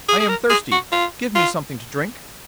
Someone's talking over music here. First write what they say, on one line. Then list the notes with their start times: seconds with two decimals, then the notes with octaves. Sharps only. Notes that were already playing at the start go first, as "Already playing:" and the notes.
'I am thirsty; give me something to drink.'
0.09 G#4
0.20 G#4
0.29 A#4
0.50 G#4
0.72 F#4
0.92 F4
1.35 F4